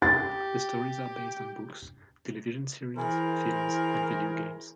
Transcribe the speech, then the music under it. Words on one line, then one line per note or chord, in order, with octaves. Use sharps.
The stories are based on books, television series, films, and video games.
G4 A6
E3 E4 G#4 A#4 C5